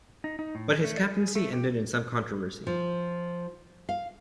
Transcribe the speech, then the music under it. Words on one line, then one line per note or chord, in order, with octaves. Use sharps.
But his captaincy ended in some controversy.
D#4
D#4
A2
G#4
A3
D5
G#4
A3
G4
F3
F5